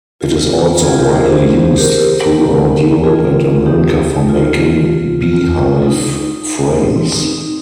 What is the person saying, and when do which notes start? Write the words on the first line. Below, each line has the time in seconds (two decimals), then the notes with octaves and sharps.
It is also widely used throughout Europe and America for making beehive frames.
0.21 F4
0.83 F4 G#4
0.98 G4 A#4
1.14 G#4 C5
1.78 G4 A#4
3.04 F4 G#4
3.66 D#4 G4
4.29 F4
5.23 F4
5.86 D#4
6.96 C4
7.12 D#4